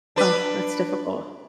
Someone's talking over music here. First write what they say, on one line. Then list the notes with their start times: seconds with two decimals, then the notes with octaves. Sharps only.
Ugh, that's difficult.
0.16 D4 B4